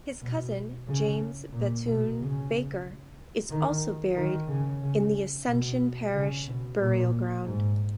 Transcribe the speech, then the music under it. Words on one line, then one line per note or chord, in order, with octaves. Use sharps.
His cousin James Bethune-Baker is also buried in the Ascension Parish Burial Ground.
B2
C#3
A#2
B2
C#3
D#3
D#3
C#3
C#3
B2
C#3
B2
A#2
G#2